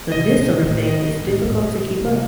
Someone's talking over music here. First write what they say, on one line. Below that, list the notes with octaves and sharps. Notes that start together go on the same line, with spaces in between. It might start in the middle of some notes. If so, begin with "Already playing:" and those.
But this sort of thing is difficult to keep up.
C3 D#5
A#2
A2
D#5
G2
A2
A2
A2
A#2
C3